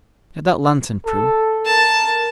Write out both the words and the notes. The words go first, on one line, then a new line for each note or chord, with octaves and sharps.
Get that lantern, Prue.
A4
A#4 A5